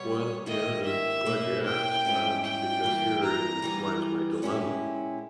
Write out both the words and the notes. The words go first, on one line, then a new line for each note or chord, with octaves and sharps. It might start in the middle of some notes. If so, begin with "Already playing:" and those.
Well, yeah, and I'm glad you asked, um, because herein lies my dilemma,
Already playing: B2 G3 B3 C#5
G#2 D#3 A#3 E4 G4 D#5
E5
B2 A#3 C#4 E4
G5
G#2 G3 C#4 E4
G5
G2 E3 A#3 E4
A#5
E3 G3 B3
A#2 G#3 C#4 E4 G4